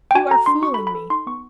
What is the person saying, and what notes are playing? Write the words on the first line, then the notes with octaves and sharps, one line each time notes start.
"You are fooling me."
G5
F#4 G#5
A4 A#5
D4 C6
F#4 C#6
B5
A4
B5
A4
D#4 C6
B3 C#6